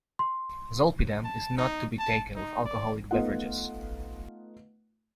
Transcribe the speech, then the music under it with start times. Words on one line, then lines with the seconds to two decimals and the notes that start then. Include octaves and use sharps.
Zolpidem is not to be taken with alcoholic beverages.
0.19 C6
1.24 A5
1.57 D#4
1.99 A5
2.35 D#4
2.65 D5
3.11 A3 B3 D#4 F4 D#5 F#5